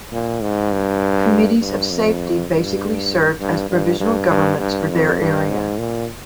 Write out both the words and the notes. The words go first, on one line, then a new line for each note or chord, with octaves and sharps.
Committees of Safety basically served as provisional governments for their area.
A#2
G#2
G2
G2
F2
G2
G2
G2
G2
G2
G2
F2
G2
G#2
A#2